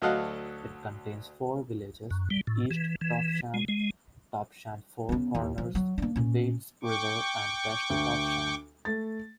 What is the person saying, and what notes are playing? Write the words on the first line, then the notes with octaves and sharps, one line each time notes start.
It contains four villages: East Topsham, Topsham Four Corners, Waits River and West Topsham.
D2 F#3 A4 D#5 F5 F#5
F#2
G3
A2
E3
E3
G#3
G#3
C#3 B3
D#2
F3
F#3
A#3 D4
A#2 C#4
G5 C#6 D6
D2
A3 A6